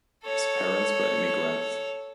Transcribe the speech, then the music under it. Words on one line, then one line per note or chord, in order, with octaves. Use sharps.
His parents were immigrants.
A4 C#5